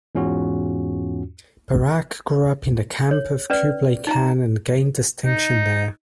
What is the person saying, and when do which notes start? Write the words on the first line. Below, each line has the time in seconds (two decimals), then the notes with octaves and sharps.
Baraq grew up in the camp of Kublai Khan and gained distinction there.
0.15 E2 G#2 C#4 F4 F#4
3.11 C#5
3.50 C#4 B4 D5
4.07 D#4 A#5
5.25 D#4